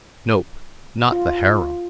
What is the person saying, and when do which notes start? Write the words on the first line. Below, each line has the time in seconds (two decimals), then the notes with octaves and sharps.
Nope, not the harem.
1.12 F4